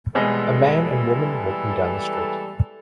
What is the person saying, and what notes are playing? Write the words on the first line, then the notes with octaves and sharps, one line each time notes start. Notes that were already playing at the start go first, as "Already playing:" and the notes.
A man and woman walking down the street.
B2 E3 G3 G#3 A4